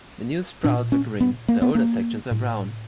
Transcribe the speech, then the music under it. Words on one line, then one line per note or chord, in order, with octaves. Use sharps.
The new sprouts are green, the older sections are brown.
A#2 D4
C#4
B3
A#3
B3
A#3
A2